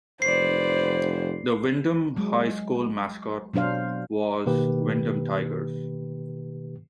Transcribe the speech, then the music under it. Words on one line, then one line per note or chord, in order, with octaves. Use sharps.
The Windom High School mascot was Windom Tigers.
F1 B4 C5 D5 C7
F#3 G#3
B2 F#3 D4 C5 F5
B2 D#3 A#3 G4 B4